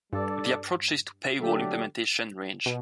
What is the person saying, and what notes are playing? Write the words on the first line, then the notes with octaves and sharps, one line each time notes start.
The approaches to paywall implementation range.
G2 G3 D4 A4 D5
D3 F#3 A3 D4 G4
B2